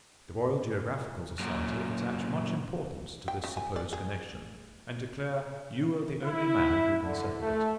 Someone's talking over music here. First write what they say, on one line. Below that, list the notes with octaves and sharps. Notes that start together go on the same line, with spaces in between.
The Royal Geographical Society attach much importance to this supposed connection, and declare you are the only man who can settle it.
F#2 A#2
G5
C#3
G#5
D5
G#4
E4
D3
A3